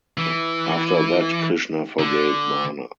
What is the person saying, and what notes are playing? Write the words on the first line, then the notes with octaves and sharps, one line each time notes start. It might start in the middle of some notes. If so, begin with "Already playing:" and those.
After that Krishna forgave Bana.
E3
D3